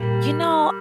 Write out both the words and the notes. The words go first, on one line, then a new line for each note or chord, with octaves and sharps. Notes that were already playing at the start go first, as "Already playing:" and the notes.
you know,
Already playing: A#2 G3 A#3